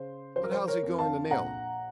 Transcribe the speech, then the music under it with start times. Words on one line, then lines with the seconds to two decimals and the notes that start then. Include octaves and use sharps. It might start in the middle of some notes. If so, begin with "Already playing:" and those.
'But how's he going to nail him?
Already playing: C#3 C5
0.36 F3 C5
0.43 A#4
0.52 C5
0.68 A#4 C#5
0.83 F2
0.99 F5 A5
1.30 A#1 F#5 A#5